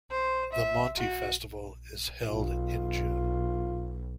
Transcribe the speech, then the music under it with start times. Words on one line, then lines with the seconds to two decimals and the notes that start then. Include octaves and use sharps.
The Monti Festival is held in June.
0.11 C5
0.53 E5
0.98 F#4
2.29 B1 F4